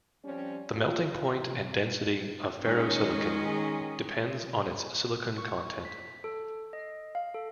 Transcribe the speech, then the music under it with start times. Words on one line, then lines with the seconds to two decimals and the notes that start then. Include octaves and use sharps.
The melting point and density of ferrosilicon depends on its silicon content.
0.24 F3 G3 C4 C#4
0.76 F4
2.62 D#3 G#3 C#4 G#4 D#5
5.38 C#6
5.85 B6
6.24 A4
6.73 D#5
7.15 F5
7.34 A4